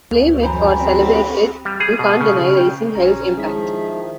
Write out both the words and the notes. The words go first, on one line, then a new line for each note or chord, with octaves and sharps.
Blame it or celebrate it, you can't deny Raising Hell's impact.
D2
F#2 E3 C5 G#5 A#5 B5
C4 G4 B5
G3
G#4
B2
C#3
G5
A#1 C#4 A#5
D#3 F3 G#3 E4 G#4 E5 B6